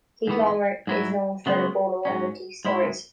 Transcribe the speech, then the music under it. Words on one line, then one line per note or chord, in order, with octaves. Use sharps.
Keith Laumer is known for the Bolo and Retief stories.
G#2 E3 B3
G#2 F#3 E4
F#2 C#3 G#3 B3 F#4
G#2 F#3 C#4
G#2 G#3 E4